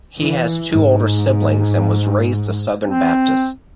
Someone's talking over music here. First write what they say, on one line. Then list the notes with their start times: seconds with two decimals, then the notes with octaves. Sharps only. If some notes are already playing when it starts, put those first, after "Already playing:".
He has two older siblings and was raised a Southern Baptist.
0.18 E3
0.71 G#2
2.87 C4